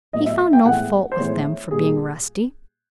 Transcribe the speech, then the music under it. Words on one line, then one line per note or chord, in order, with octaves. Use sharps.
He found no fault with them for being rusty.
A2 F#3 B3 D#5
E5
G5
A2 E3 G#3 B3 F#5
C5
A2 E3 G#3 B3 C#5
A#2 G3 A#3 G#4